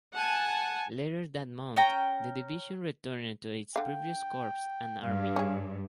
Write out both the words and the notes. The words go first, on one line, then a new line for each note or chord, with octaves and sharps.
Later that month the division returned to its previous corps and army.
F#5 G#5 A5
C#4 G5 A#5
D3 F5 G5
G2 F5
C#4 G#4